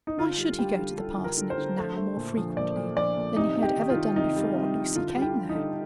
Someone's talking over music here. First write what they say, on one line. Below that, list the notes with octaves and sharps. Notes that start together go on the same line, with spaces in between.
Why should he go to the parsonage now more frequently than he had ever done before Lucy came there?
D#4
D3 F4
G3
G3 G4
D3
G3 A4
D3
A#4
D3
C5
D3
A3
A3
A#2
F3
A#2 D5
A#2
F3 D5
A#2
C3 D#4
C3
G4
D#3
F4
D#3
C3 D#4
G3
C3
C3
D3 F4
G3
G4
G3
D#4
D3